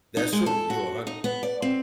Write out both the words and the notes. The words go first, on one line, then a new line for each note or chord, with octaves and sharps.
That's true. You a hund
D#4
G#3
A4
F#4
D#4
B3
D5
C4